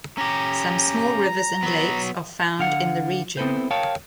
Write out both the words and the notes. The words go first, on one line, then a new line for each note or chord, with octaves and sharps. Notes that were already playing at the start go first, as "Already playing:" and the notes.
Some small rivers and lakes are found in the region.
C#4 G4 A#5
F#3 B3
D3 F5 F#5
B3 C4 E4 A4 B4 C5
A#4 C#5 F5 G5 A5